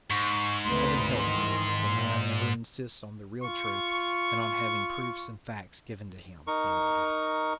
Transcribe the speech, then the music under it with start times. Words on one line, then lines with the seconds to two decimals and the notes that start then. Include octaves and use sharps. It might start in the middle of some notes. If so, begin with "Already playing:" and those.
"Heaven help me if the lad ever insists on the real truth and on having proofs and facts given to him!" he muttered.
0.10 G#2 C#6
0.64 D2 C3 B4 C6
1.19 D#3 E3 C6
1.87 A#2
3.43 F4 C#6
6.47 D#4 A#4 C#6